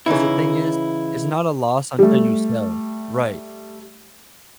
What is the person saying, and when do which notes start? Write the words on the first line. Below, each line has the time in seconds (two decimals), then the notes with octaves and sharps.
'Cause the thing is, it's not a loss until you sell, right?
0.06 C#3 E3 D#4 E4
1.99 G3 A3